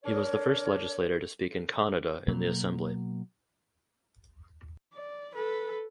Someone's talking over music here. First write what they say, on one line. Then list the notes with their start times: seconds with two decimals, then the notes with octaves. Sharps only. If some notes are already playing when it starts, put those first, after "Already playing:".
He was the first legislator to speak in Kannada in the assembly.
0.04 D4 A#4 C#5
2.28 B2 F#3 A#3
4.94 D5
5.34 A4 B4